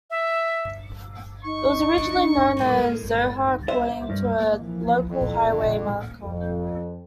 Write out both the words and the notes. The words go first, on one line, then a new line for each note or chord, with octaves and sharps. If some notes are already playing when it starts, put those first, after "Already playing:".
It was originally known as "Zohar" according to a local highway marker.
E5
D#4 C#6
D4 E4
A2 G#3 A#3
C5 E5
G2
E3 F3
F2
D3
F2